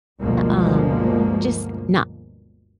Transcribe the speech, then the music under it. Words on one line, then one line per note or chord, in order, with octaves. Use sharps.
eh, um, just not
G1 D2 B2 F3 G#3 A#3